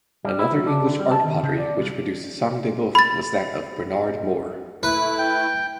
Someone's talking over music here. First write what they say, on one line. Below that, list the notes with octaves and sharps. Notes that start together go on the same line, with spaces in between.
Another English art pottery which produced sang de boeuf was that of Bernard Moore.
G3
E4
F#3
D4
D3
G3
A5
D#3
C#3
D5
C2
B5 A6
A3 E4 B4
G5